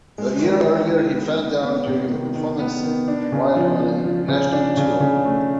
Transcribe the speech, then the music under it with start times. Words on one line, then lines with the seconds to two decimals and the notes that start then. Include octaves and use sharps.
A year earlier, he fell down during a performance while on a national tour.
0.18 G#3
0.42 D#3
0.67 D#3
0.91 D#3
1.15 B3
1.39 B3
1.63 B3
1.87 C3
2.11 D#3
2.35 D#3
2.59 B3
2.83 D#3
3.08 D4
3.32 C#3
3.56 F3
3.79 F3
4.04 F3
4.28 C#3
4.52 D4
4.77 C#3
5.00 C#3
5.25 A3